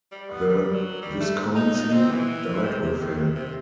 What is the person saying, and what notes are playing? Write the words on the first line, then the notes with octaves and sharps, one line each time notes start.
The viscountcy died with him.
G3
B3
G3
F#3
G3
A3
D#4
D#4
C4
E3
C3
C3
D#3
C3
C3